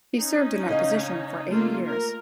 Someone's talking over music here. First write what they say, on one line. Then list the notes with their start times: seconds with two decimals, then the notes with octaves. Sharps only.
He served in that position for eight years.
0.14 C#4 D#4
0.69 C#3 D#5 F5
1.47 A3 A#3 F4
1.85 A#4